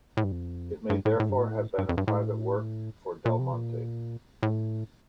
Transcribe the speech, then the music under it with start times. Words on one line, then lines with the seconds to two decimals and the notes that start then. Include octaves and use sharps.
It may therefore have been a private work for Del Monte.
0.17 A2
0.24 G2
0.32 F2
0.90 G2
1.05 A2
1.20 A2
1.29 G2
1.38 A2
1.78 G2
1.89 F2
1.98 G2
2.08 A2
3.25 A#2
3.39 C3
3.53 A#2
4.43 A2